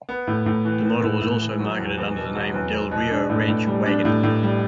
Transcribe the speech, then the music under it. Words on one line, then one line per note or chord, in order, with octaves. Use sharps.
The model was also marketed under the name Del Rio Ranch Wagon.
B3
A2
A2
E3
B3
A2
A2
E3
F#3
E2
E2
B2
F#3
E2
E2
B2
D4
A2
A2
G3
D4
A2
A2
G3